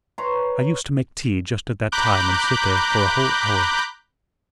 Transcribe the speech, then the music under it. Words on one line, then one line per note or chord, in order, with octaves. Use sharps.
"I used to make tea just at that time and sit there for a whole hour."
B4 C#5 A#5 C6
A#5 B5 D6 F#6 G6